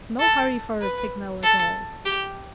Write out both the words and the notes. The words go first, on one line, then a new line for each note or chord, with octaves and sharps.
No hurry for a signal at all.
A4
B4
A4
G4